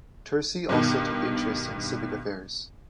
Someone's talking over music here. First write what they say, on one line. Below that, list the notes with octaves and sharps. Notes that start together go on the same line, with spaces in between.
Tursi also took interest in civic affairs.
G2 B2 D#3